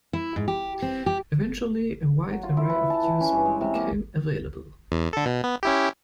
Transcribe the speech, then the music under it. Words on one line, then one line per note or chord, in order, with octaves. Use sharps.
Eventually, a wide array of hues became available.
E4
G#2
G4
C4
G4
F#3
F4
E4
B4
A5
E3
C#4
G2
G#3
C3
A#3
E2
D3 A4
B2
B3
C#4 E4 G4